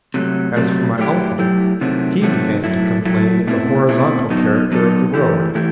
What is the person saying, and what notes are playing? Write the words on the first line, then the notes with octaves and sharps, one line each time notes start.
As for my uncle he began to complain of the horizontal character of the road.
C3 F#3 A3
C3 F#3 A3
F#3 A3 E4 G4
F#3 A3 E4 G4
C3 D#3 F#3 A3 C4
C3 D#3 F#3 A3 C4
F#3 A3 E4
F#3 A3 E4
B2 A3 C4 E4
B2 A3 C4 E4
F#3 B3 D#4 A4
F#3 B3 D#4 A4
E3 A3 E4 G4
E3 A3 E4 G4